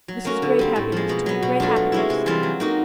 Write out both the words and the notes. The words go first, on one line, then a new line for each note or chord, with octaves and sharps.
'This is great happiness to me, great happiness.
F#3
A#3 C#4 F#4
D3
G3 C4
A2
F3 G#3
B2
F#3 B3
B2
F#3 A3 D4 F4
B2
G#3 C#4 E4
C3
E3 G3 C4 F4
F#3
A#3 D#4 F#4